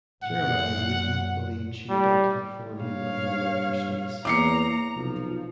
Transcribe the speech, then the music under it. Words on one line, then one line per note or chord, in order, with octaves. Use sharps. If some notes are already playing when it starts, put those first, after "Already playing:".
Jeremiah Newton believed she adopted her forename out of a love for sweets.
F#2 A#2 F#5
G3
G2 A#2 C#5 F5
E2 A#3 E4 C#5 A#5 D6 C7 C#7
B1 C3 F3